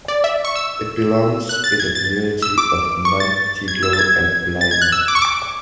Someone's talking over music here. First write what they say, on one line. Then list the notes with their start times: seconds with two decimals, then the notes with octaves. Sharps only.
It belongs in the community of Nantyglo and Blaina.
0.08 D5
0.24 E5
0.45 C#6
0.55 E6
1.49 F#6
1.64 A6
1.80 G#6
1.95 A6
2.42 E6
2.58 D6
3.05 C#6
3.20 A6
3.68 G#6
3.83 E6
3.93 A6
3.99 G#6
4.61 A6
4.71 G#6
4.82 F#6
4.92 E6
5.08 D6
5.15 C#6
5.22 D6